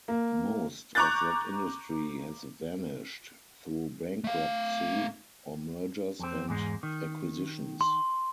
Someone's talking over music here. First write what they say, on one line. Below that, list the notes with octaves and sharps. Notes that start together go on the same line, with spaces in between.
Most of that industry has vanished through bankruptcy or mergers and acquisitions.
A#3
A#5 C#6 D6 F#6 G6 A6
A3 F5
F2 C4
E2 G#2 G#3
D#3
C6